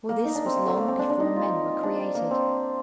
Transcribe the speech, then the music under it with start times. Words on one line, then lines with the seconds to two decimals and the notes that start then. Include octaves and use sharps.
For this was long before men were created.
0.09 A#3
0.25 D#4
0.35 D4
0.46 C4
0.56 A#3
0.67 A3
0.77 A#3
0.88 C4
0.99 D4
1.10 D4
1.20 D#4
1.36 F4
1.83 D4
2.15 A#3
2.31 C4